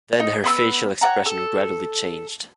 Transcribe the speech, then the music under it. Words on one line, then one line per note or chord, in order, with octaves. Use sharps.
Then her facial expression gradually changed.
D#4
B3 B5 E6
C#5 D5 F#5 A#5
A4